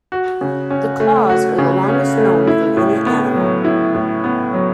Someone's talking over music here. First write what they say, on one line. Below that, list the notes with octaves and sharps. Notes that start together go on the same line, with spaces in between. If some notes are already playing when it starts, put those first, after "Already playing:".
The claws are the longest known from any animal.
F#4
C#3
C#4
A3
F#4
C#3
C#4
A3
E4
A2
B3
F#3
E4
A2
B3
F#3